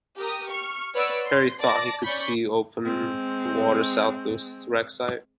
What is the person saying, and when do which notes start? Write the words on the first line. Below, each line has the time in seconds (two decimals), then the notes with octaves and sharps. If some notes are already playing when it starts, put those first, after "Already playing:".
Parry thought he could see open water south of the wreck site.
0.17 G4 A#4 D#6
0.49 C#6 F6
0.93 B4 C#5 D5 F#5 E6 D7
1.27 C6
1.60 D5 A5 D6 A#6
2.03 C#4 D5 B5 C#6 G6 B6
2.85 G#3 C4